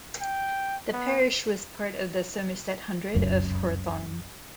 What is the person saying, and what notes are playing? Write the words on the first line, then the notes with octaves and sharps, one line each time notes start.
The parish was part of the Somerset hundred of Horethorne.
G5
B3
F1 C#2 F#2